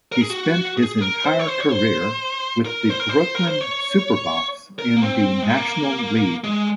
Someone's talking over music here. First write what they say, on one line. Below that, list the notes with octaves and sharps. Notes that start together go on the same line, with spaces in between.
He spent his entire career with the Brooklyn Superbas in the National League.
A#4
G#4
F#4
G#4
A#4
C5
C#5
C5
C#5
C5
A#4
C5
A#4
C5
A#4
C5
C#5
A#4
A#3
C4
G#3
A#3
G#3